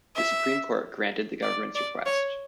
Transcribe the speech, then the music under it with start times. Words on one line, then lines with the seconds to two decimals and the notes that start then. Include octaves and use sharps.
The Supreme Court granted the government's request.
0.16 E5
1.43 D5
1.75 D5
2.06 C#5